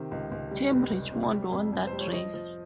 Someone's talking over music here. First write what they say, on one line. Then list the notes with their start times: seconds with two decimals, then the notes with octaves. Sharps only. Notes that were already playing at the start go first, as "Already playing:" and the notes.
Tim Richmond won that race.
Already playing: C3 D#3
0.11 C#2
0.32 C#2
0.51 G3
0.71 F1
0.92 F1
1.12 C3
1.33 G3
1.52 F2
1.73 F2
1.87 C5
1.93 G3
2.01 C#5
2.13 F3 D#5
2.34 F3